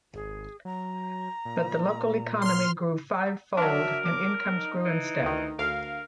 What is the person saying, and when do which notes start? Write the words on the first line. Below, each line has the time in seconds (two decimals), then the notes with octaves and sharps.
But the local economy grew fivefold, and incomes grew in step.
0.14 G#1 G#4
0.65 F#3 A#5
1.45 A#2
2.42 C6 F6
3.57 F#3 D4 A#4 E5
4.05 D6
4.48 D#4
4.85 E3
5.23 D2 D#3
5.59 D2 A#4 F5